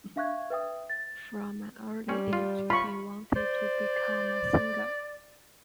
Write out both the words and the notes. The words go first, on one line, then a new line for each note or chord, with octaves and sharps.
From an early age, he wanted to become a singer.
D4 E5 F5 C#6 F#6 G#6
B4 E5 G5 D#6
A6
G3 C4 C#4
F4
F4 B5 C#6
C5 D5